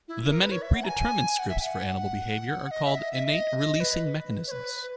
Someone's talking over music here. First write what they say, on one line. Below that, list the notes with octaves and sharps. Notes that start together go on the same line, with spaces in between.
The many predetermined scripts for animal behavior are called innate releasing mechanisms.
E4
A#4
B4
C#5
E5
F#5
A#5
G#5
F#5
E5
G#5
F#5
D#5
E5
D#5
E5
E5
D#5
D#5
B4
C#5
B4